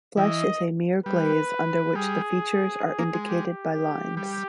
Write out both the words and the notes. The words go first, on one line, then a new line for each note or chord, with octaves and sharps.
Flesh is a mere glaze under which the features are indicated by lines.
E3 D#5
G3 B4
G3 G#4
G#4
A#3
G#3
G4
G4
G3 G4